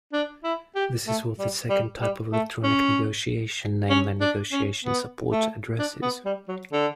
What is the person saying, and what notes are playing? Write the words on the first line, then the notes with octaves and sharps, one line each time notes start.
This is what the second type of Electronic negotiation, namely Negotiation Support, addresses.
D4
E4
G4
A3
G3
G3
G3
A3
C#4
C#4
D4
C#4
B3
A3
D4
B3
G3
F#3
D3